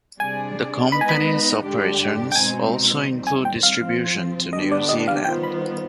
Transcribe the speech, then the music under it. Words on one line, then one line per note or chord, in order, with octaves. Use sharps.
The company's operations also include distribution to New Zealand.
C3 G3 D4 G#4 D5 G#5
G#3 B3 D#4 B4 D#5 B5
G#5
B5
G2 D3 G#3 D4 G4
G5
B2 G#3 C4 D#4 G#5
F2 D#3 G3 C4
G#5
G5
F5
F3 C4 F4
D3 G3 B3 D4 G4 D#5
D5
D#5
F5
D#3 G3 B3 F4 C5 G5
B5